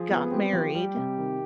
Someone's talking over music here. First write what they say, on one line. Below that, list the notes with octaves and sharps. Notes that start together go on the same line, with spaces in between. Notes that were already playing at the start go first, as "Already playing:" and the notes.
got married,
Already playing: F3 G#4
B3
C4 G4
F3
G3 G4
C3
D#3